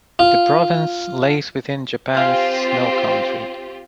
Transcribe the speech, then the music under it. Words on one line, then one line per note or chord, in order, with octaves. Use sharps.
The province lays within Japan's "Snow country".
F4
C4 F4 G4 C5 F5 G#5